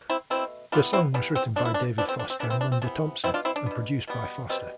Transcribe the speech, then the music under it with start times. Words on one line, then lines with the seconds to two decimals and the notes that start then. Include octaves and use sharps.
The song was written by David Foster and Linda Thompson, and produced by Foster.
0.10 C4 E4
0.30 B2 A3 C4 E4
0.72 E3 G3 B3 D4 F4
0.93 C4 E4
1.14 E3 G3 B3 D4
1.35 C4
1.56 D3 F3 B3 D4
1.65 E4
1.74 D4
1.98 D3 F3 B3 D4
2.09 C4
2.19 D4
2.30 C4
2.40 C3 E3 B3 D4
2.50 C4
2.61 D4
2.72 C4
2.82 C3 E3 B3 D4
3.24 B2 C4 E4
3.27 B3
3.34 D4 F4
3.45 C4 E4
3.56 D4
3.66 B2 B3
4.07 B2 G3 B3
4.49 B2 G3 B3 C4